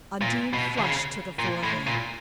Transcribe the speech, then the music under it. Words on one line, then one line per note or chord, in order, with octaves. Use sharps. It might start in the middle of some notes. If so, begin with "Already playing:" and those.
Undine flushed to the forehead.
A#2
B2
D3
C#3
A#2
A2
A#2